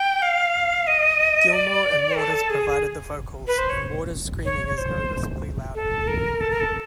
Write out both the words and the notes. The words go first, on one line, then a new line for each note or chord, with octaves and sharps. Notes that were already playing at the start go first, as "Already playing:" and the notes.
Gilmour and Waters provided the vocals, and Waters' screaming is noticeably louder.
Already playing: G5
F5
D#5
D5
A4
G#4
B4
C5
C#5
C#5
C#5
C5
A4
A#4
A4
A#4
A4